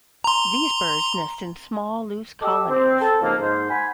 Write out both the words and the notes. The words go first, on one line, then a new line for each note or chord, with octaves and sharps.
These birds nest in small loose colonies.
A#5 C6
G4 A4 D#5 D6 E6
C4
A4
C#2 D#3 F3 A#3
G#2 C5
F#5 G#5 B5